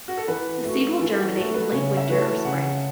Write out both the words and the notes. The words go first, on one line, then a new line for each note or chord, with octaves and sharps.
The seed will germinate in late winter or spring.
F#4
A4
E3 B4
A3 F#4
E3 A4
F#4
A3 F#4 A4
B4
C#3 C#5
E5
E3 A3 F#4 B4
A5
C#3 F#5